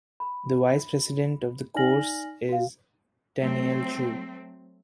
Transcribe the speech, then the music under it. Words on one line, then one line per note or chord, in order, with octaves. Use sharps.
The vice president of the course is Tenniel Chu.
B5
D#4 D5 G#5 F6 A#6 F#7
F#4 F5
F#3 A3 C4